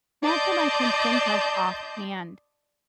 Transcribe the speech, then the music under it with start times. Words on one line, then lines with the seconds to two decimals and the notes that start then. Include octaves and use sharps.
Not that I can think of offhand,
0.23 D5 D#5 A5 C6 G6